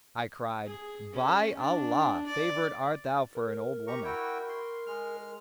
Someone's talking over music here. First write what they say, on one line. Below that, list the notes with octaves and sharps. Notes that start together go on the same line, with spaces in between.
I cried, 'By Allah, favoured art thou for an old woman!
G#4
C#4
D4
D5
A#4
G4 A#5 C#6
E4 F#4 G5
C6
G#3 F6